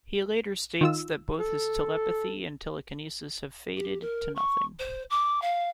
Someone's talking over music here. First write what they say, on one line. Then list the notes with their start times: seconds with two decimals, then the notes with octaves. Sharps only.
He later states that both his telepathy and telekinesis have faded to nothing.
0.81 D#3 F4 E6
1.40 A4
3.77 G4
4.01 A#4
4.35 C#6
4.79 C5
5.10 D6
5.42 F5